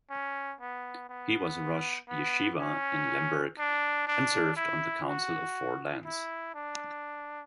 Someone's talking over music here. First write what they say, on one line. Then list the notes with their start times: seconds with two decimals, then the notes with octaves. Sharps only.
He was Rosh Yeshiva in Lemberg and served on the Council of Four Lands.
0.11 C#4
0.61 B3
1.10 B3
2.09 B3
2.60 C#4
3.59 D4
4.08 D4
4.57 E4
5.06 F#4
6.05 E4
6.55 D4